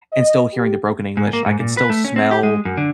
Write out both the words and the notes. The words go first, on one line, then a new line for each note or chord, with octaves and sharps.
and still hearing the broken English, I could still smell,
D#5
G4
G#2
A#3
G#2
A#2
B4
A3
C#4
C4
G4
G#3
F#2
D3